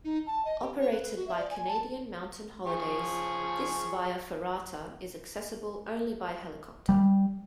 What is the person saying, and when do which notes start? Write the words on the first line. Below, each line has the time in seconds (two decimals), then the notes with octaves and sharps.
Operated by Canadian Mountain Holidays, this via ferrata is accessible only by helicopter.
0.04 D#4
0.27 A5
0.45 D#5
0.62 G4
0.79 C#5
0.91 B4
1.03 B4
1.16 F#4
1.27 E5
1.39 D5
1.51 G#5
1.68 A5
2.66 F3 G#4 C#6
6.89 G3